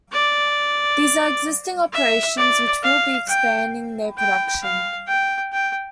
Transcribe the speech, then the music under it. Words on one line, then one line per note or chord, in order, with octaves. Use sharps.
These are existing operations which will be expanding their production.
D5
E5
D5
F5
G5
G5
F5
G5
G5